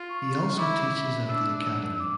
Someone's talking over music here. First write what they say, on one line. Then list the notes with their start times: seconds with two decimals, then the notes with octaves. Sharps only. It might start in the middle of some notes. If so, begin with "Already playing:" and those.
He also teaches at the academy.
Already playing: F4
0.09 C#6
0.33 C#6
0.57 E4 D6
0.81 D6
1.28 D4 E6
1.64 E6
1.99 D6